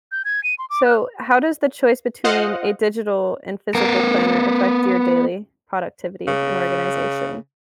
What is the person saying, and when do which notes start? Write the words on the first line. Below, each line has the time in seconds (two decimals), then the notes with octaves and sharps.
so, how does the choice between a digital and physical planner affect your daily productivity and organization?
0.12 G6
0.25 G#6
0.43 D#7
0.58 C6
0.70 D6
0.84 F#6
2.24 F4 C5 D#5 F5 F#5
3.75 B3 A#4
6.28 C#3